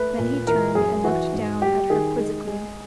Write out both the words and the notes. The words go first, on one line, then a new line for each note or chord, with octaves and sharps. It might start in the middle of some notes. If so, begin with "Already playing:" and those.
Then he turned and looked down at her quizzically.
Already playing: A3 B4
A#2
E3 A#4
F#2 G#4
E3 F#4
G#2
G3 G4
D#3 G#4
G#3
G#3